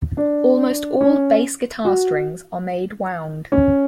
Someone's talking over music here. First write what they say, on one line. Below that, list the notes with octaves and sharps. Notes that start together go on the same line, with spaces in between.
Almost all bass guitar strings are made wound.
D4
C#4
F#4
C#4